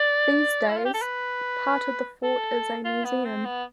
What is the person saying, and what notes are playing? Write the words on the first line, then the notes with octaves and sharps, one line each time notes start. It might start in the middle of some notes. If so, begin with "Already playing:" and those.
These days, part of the fort is a museum.
Already playing: D5
E4
F4
G4
A4
B4
A4
F4
B3
C4
B3